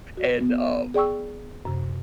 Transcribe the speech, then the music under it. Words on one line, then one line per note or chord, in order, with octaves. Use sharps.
And, um,
F#4
B3
G#4 D5 G5 C#6 E6
F#2 C3